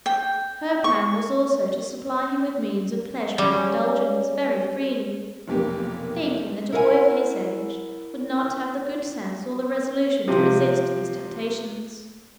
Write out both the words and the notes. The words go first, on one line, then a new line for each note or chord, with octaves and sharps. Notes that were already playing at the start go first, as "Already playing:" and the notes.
Her plan was also to supply him with means of pleasure and indulgence very freely, thinking that a boy of his age would not have the good sense or the resolution to resist these temptations.
G5
C#6
G3 C#4
F1 B1 A#3 G4
E4 A#4 C#5 E5 F#5 G#5
C3 F3